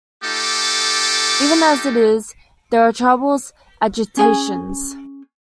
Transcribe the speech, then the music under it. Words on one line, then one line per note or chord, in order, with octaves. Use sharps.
Even as it is — there are troubles — agitations.
A3 D#4 F4 G4 A4 D6
C#4 G#4 G#5